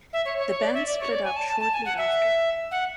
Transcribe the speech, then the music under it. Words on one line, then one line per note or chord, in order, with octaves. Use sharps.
The band split up shortly after.
E5
C#5
C#5
C#5
D5
E5
D5
C#5
D5
G#5
A5
A5
A5
G#5
F#5
E5
F#5